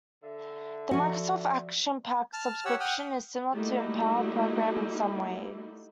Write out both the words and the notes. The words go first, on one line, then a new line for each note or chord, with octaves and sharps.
The Microsoft Action Pack Subscription is similar to the Empower Program in some ways.
D3 E5
F3 F#4 D5 D#5
A5 F6
G4 C#5 F#5 E6
F#5 G5 D#6 F6
G3 A3 A#3 D#4 E4 F#4